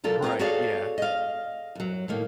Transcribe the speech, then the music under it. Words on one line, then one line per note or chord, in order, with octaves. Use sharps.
Right, yeah,
F3 F#3 F4 A4 A#4 D5
C4 F4 A#4 F5
F#4 G#4 A4 C#5 D5 F5
D#5 F5
F#2 F#3
A2 D#3 A#3